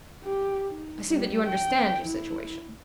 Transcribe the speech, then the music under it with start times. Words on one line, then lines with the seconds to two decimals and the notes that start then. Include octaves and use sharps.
I see that you understand your situation.
0.24 G4
0.69 D#4
1.11 G3
1.48 G5
2.06 E4